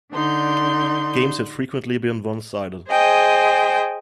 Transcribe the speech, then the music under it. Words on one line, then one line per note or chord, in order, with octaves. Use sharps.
Games had frequently been one-sided.
D3 D4 D#4 C6 G6
G#4 C5 D#5 G5 G#5